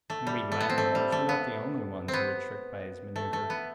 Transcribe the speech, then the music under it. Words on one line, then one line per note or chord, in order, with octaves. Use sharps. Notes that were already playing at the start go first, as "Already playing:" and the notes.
And we land-lubbers were not the only ones he tricked by his manoeuvre.
A3
G3
A3
B3
C4
A3
G3
A3
B3
C4
B3
A3
A3
B3